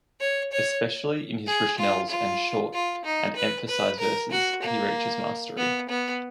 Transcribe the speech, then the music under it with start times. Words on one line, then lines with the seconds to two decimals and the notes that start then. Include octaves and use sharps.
Especially in his ritornelles and short and emphasized verses he reaches mastery.
0.20 C#5
0.52 C#5
1.47 G#4
1.78 F4
2.10 F4
2.73 F4
3.05 D#4
3.36 B4
3.68 B4
3.99 A#4
4.31 F#4
4.62 A#3
5.57 B3
5.89 B3